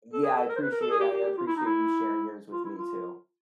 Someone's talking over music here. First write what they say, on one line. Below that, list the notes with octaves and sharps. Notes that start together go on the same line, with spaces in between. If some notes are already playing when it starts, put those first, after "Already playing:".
Yeah, I appreciate I appreciate you sharing yours with me too.
A4
G#4
A4
A#4
C5
B4
A#4
A4
G#4
G4
G4
G4
F4
E4
D#4
E4
F4
E4
F4